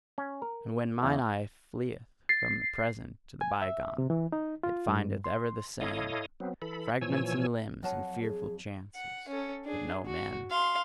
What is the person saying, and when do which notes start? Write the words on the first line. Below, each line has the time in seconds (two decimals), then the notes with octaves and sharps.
And when mine eye fleeth from the present to the bygone, it findeth ever the same: fragments and limbs and fearful chances--but no men!
0.18 C#4
0.42 A#4
1.03 E2
2.29 A6 C7
3.41 G#5
3.62 E5
3.98 C3
4.10 E3
4.32 D#4
4.63 F4
4.88 G2
5.24 C6
5.81 E4 A4 C#5 D#5 F5 D#6
6.40 F#3 B3 C4
6.62 E3 A4 B5
7.01 A#2 E3 F3 C#5 G#5 E6
7.83 F2 F#3 F#5 A5
8.22 G#4
8.95 F#5
9.28 C#4 A4
9.64 D4 G#4
10.06 F#4
10.50 F5 C6